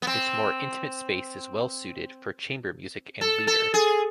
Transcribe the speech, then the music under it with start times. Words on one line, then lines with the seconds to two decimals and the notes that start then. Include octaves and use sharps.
Its more intimate space is well-suited for chamber music and Lieder.
0.02 B3
0.07 C4
3.21 A4
3.47 A4
3.74 G#4